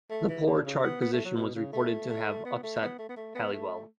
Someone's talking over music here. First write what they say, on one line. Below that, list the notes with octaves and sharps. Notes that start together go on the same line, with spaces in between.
The poor chart position was reported to have upset Halliwell.
A3
E3
D3
C#3
B3
B3
A3
F#3
B2
C#3
A3
A3
B3
A3
B3
A3
B3
A3
B3
A3